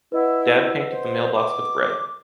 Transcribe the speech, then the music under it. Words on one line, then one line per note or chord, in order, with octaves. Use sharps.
Dad painted the mailbox with red.
E4 B4 D#5 F#5
C5
D6